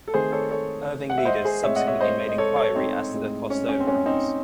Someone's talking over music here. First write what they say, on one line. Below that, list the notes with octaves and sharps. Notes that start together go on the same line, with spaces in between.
Irving leaders subsequently made inquiry as to the cost overruns.
A4
D#3 A3 C4 G#4 C5
A4 C#5
A4 C#5
F#5
E5
C5 D#5
G#4 C5
A2 G#3 C4 C#5 E5
D#5 F#5
C#5 E5
C5 D#5
D#5
A4 C#5
A4 C#5
C4 D#4
A2 G#3 C4
C#4
C#4
C4
C#4
C4 D#4